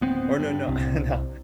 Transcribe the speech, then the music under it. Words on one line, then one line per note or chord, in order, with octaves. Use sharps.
Or, no, no, no,
D1 B3 C4
G2
C2 C3